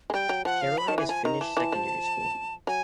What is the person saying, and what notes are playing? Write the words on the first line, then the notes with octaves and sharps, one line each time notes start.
Caroline is finished secondary school.
G#3
G3 G5
F#3
F3 F#5
F5
B5
D#3 A5
E3 G#5
F3 G#5
D#3 A#5
E3 A5
E3
F3
F#3 G#5